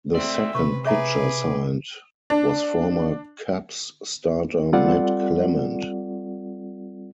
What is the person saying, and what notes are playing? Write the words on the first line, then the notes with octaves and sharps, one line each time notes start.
The second pitcher signed was former Cubs starter Matt Clement.
A3 C4 D5 E5
C3 B4 C#6
G#4 B4 C#5 E5 A#5 D6
D4
G3 C4 F4 A4 D5 F#5